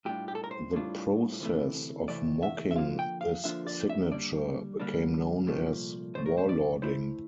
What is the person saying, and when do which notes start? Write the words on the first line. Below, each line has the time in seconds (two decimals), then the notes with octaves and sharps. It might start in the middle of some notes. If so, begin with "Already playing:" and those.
The process of mocking this signature became known as warlording.
0.05 A2 G3 D4 F4 G4
0.28 G4
0.35 A4
0.44 A#4
0.51 C5
0.73 A2 G3 D4 F4
1.40 D2 C3 E3 A3
2.08 D2 C3 E3 A3 D5
2.43 E5
2.71 E5
2.76 D3 F3 A#3 D4 F4 F5
2.99 G5
3.21 F5
3.44 D3 F3 A#3 D4 F4 E5
3.67 D5
3.89 E5
4.11 D3 G3 A#3 D4 D5
4.80 D3 G3 A#3 D4
5.46 C2 A#2 F3 A3
6.14 C2 A#2 F3 A3 C5
6.26 A#4
6.38 C5
6.49 D5
6.82 D3 A3 E4 C5